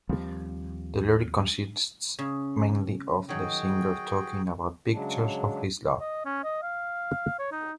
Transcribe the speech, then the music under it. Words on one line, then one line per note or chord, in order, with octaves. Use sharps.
The lyric consists mainly of the singer talking about pictures of his love.
D#2 F3 G3 C4
C#3
D#3 F#3 F#4 G#4 G5
C#3 F#3 G#3 D4
D#5
C#4
D#5
F5
C#5
D#4